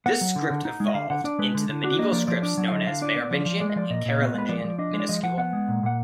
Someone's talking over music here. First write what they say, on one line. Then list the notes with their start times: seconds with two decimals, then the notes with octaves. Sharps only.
This script evolved into the medieval scripts known as Merovingian and Carolingian minuscule.
0.06 B3 F#5
0.21 F#3
0.36 D3
0.50 D3
0.65 D#4
0.80 G#3
0.88 D#5
0.94 D3 F5
1.10 D3 F#5
1.24 D4 D5
1.39 G#3 B4
1.54 D3
1.69 D3
1.84 D4 F#4
1.99 A#3 D#5
2.12 F3 D5
2.27 F3 D5
2.42 D4 D5
2.57 F#3
2.68 F5
2.72 D3 D#5
2.87 D3 F5
3.02 D4 D5
3.16 B3
3.31 F3
3.46 F3
3.60 G#3 D5
3.70 D#5
3.76 F3 D5
3.90 A#2 D#5
4.05 A#2
4.19 B3
4.34 G#3 B4
4.49 F3 D5
4.64 F3
4.78 D4 D#5
4.94 G#3
5.00 D5
5.09 F3 D#5
5.23 F3 F#5
5.38 B3 F#5
5.53 G#3
5.68 A#2
5.83 A#2 F#5